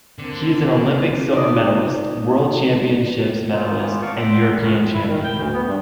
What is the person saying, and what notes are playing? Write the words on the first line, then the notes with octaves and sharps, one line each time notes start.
He is an Olympic silver medalist, World Championships medalist, and European Champion.
D3 A#3 C4
D#4 D5 D#5
F#3 D#4 F4
E3 B3 F4
F4 A#4 D5 F5 A5 C#6
E5 F#5 G5 A#5 C6 D6
D#2 A2 G#3 C#4 B5 F6
E4
D#3
G5
D2
B3
G2